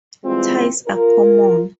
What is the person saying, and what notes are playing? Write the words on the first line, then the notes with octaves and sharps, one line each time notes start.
Ties are common.
E3 G3 G#3 C4 F4
F4 A#4